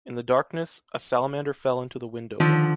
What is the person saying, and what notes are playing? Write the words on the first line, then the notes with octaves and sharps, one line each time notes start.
In the darkness, a salamander fell into the window well.
D3 D#3 F3